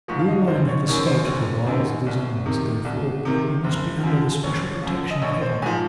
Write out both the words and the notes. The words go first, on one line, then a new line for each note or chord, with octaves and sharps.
You alone have escaped the wiles of these animals, therefore you must be under the special protection of Heaven.
G#2 F3 C#6
F5
D#5
F#1 C5
C#5
F#2 D#3 C#5
C5
F#1 C#5
F#2 D#3
C2
C3 D#3
C2
C3 D#3
F#1
F#2 F3
F#1 C#5
F#2 F3
D#5
A#1 C#5
C5
G#2 F3 G#5